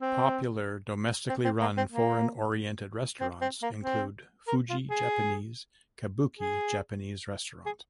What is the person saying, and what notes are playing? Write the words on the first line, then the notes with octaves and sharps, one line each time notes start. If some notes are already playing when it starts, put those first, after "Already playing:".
Popular domestically run foreign oriented restaurants include Fuji Japanese, Kabuki Japanese Restaurant.
C4
C4
C4
A#3
C4
A#3
C4
C4
A#3
C4
A#4
F4
G#4
G#4
G#4